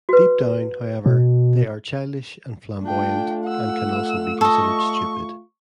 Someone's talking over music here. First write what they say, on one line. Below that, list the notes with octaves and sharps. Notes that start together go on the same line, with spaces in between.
Deep down, however, they are childish and flamboyant, and can also be considered stupid.
F#4 B4
B2
A3 D4 F4 G5
F#5 E6
A4 D#5 C#6